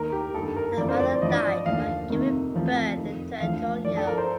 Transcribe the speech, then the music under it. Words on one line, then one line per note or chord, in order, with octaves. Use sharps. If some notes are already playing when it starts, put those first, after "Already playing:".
The mother died while giving birth to Antonio.
Already playing: D#2 D#3 A#4
G4
G2 D#3 A4
A#4
F2 D3 F3 D5
C5
D5
G2 F3 D#5
D5
D#5
D#2 D3 F3 F5
F2 C3 D#3
D2 C3 F3
F2 D#3
D2 D3 F3 F5
G2 F3 D5
A4
A#4
C5